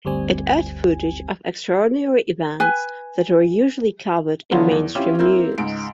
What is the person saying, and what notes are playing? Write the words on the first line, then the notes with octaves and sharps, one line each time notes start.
It aired footage of extraordinary events that were usually covered in mainstream news.
G1 D2 G3 C4 G#5
B4 G#5
D3 F3 F#3 B3 F4
E2
C4 C#4 E4 F4 G4
A#3 C4 E4
C#2 G#2 D7